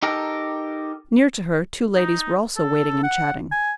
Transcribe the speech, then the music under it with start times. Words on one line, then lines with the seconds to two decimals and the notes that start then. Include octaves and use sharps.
Near to her two ladies were also waiting and chatting.
0.03 D#4 G4 A4 A#4
1.95 D#4
2.57 A4
3.03 F#5
3.52 G#5